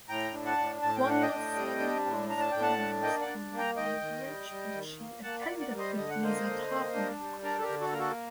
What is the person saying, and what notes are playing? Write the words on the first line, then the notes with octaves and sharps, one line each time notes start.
One was Saint Maur's Convent School in Weybridge, which she attended with Liza Tarbuck.
A2 G5 A#5
D4
F#5 A5
A2
A2 A5
G5
D4 F#5
D#5 G5
A2
G3
D4
A2
D4 A#5
A5
A2 G5
F#5 A5
D4
A#3 D#5 G5
D5 F#5
D4
A#3
G5 A#5
D#3 D#5 G5
D#3
G3
G3
D#3
A#3
A#3 F#5 A5
D5 F#5
A#3
D5 F#5
G3
C5 D#5
D3 D#5
F#5
A#3 C5 D#5
D3
A#3
D4
G3
D4 A#4 D5
A4
G4 A#4
D3
F#4 A4
A#3 A#4
F#4 A4